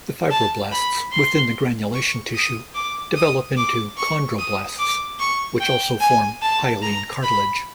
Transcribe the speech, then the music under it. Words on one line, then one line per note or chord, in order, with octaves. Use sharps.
The fibroblasts within the granulation tissue develop into chondroblasts which also form hyaline cartilage.
A5
B5
C6
C#6
D#6
D6
D#6
D6
C#6
D#6
D6
C#6
G5
G#5
A5
A#5
B5